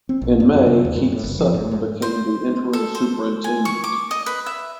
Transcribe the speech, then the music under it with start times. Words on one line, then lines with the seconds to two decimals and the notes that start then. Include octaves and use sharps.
In May Keith Sutton became the interim superintendent.
0.09 C4
0.21 A#1
0.40 G2
0.53 F#2
0.66 C3
0.85 D#2
0.96 G2
1.12 A2
1.23 F#1
1.39 F3
1.54 G#2
1.71 G#2
2.02 C5
2.73 A4
2.95 C5
3.44 G#5
3.65 C#6
3.84 D6
4.11 D#5
4.26 B4
4.46 E5